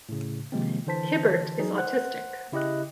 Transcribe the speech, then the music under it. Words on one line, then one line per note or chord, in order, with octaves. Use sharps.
Hibbert is autistic.
A2 C#3
C3 D#3 F3 G#3 A#3 C4
D3 E3 C5 A5 B6
F#3 D#4 G#4
C5 F#5 F#6
C#3 E4 G4 D#5 F#6